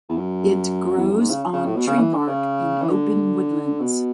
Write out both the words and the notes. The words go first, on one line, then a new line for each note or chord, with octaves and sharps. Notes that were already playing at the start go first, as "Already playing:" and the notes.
It grows on tree bark in open woodlands.
E2
F#2
E2
F#2
G#2
C#3
C#3
A2
B2
C#3
E3
D3
C#3
E3
D3
B2